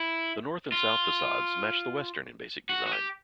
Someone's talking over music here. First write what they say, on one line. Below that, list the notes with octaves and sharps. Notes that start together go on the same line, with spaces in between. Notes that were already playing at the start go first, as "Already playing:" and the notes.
The north and south facades match the western in basic design.
Already playing: E4
F4
F#4
F#4
G4